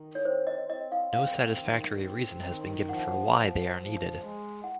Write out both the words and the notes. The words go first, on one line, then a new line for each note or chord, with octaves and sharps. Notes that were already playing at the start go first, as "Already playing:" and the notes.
No satisfactory reason has been given for "why" they are needed.
Already playing: D#3
C#5
C4 C5
D#5
C4 D#5
F5
C4 F5
D#3
C4
D#3
F3 F#5
F#5
F3
F3
G#3
F#5